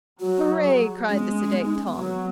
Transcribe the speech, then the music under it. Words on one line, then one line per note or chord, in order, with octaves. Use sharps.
"Hooray," cried the sedate Tom.
F#3 F#4
G#4
G#3 C#4
B3
C#4
C#4
B3
D#4
C#4
B3
F#3